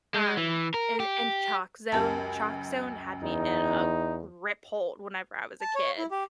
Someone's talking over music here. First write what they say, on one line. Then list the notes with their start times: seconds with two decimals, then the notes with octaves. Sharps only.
um, and and Chalkzone, Chalkzone had me in a grip hold whenever I was a kid,
0.14 G#3
0.37 E3
0.74 A#4
1.00 G4
1.92 C#2 F#2 G4 A#4 A5
3.22 E2 D#4
5.61 A5
5.75 C#5
5.98 E4
6.11 G4